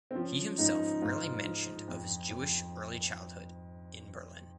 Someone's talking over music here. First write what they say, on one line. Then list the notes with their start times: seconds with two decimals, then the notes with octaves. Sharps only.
He himself rarely mentioned of his Jewish early childhood in Berlin.
0.11 C4
0.15 F3 C#4
0.58 G#2 D#4
1.02 G#2 F4
1.45 F3
1.88 F2
2.30 F2